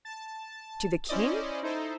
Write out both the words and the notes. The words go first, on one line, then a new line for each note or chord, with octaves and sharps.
"To the king?"
A5
C#4 E4 C5 D5 D#5
D#4 E4 A4 C5